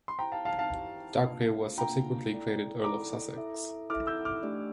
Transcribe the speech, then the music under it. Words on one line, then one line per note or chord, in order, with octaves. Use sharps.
Dacre was subsequently created Earl of Sussex.
C6
E4 G4 C5 G5 A#5
F5 A5
F5 A5
F5 A5
E4 G4 C5
A#3 D4 F4
A#3 D4 F4 G5 A#5
E4 A4 D5
E4 A4 D5 A#5 D6
E4 A4 E5
E4 A4 E5 D6 F6
E6 G6
D6 F6
A3 D4 G4 D5